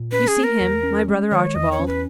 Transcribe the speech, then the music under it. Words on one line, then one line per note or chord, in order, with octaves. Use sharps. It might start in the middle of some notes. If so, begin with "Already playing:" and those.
"You see him--my brother Archibald?"
Already playing: A#2
C#4 B4
G#4
A#3
A#4
E2
C#4
G#3
D#3 C#5
E2 D#5
C#5
C#4
B4